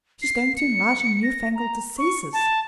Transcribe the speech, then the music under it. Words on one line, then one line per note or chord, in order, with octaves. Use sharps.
She is going to enlarge on new-fangled diseases.
C7
C#7
A#6
A#5
C#6
A5